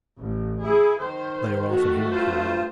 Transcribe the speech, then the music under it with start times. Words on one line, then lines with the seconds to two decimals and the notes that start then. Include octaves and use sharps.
They are often here for men.'
0.19 A1
0.63 E4 G#4
0.99 D#3 C5
1.71 A3 F#4
2.11 G2 F4 C5